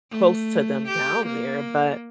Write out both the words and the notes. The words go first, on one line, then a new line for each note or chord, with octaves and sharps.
close to them down there. But,
A3
G4
A#3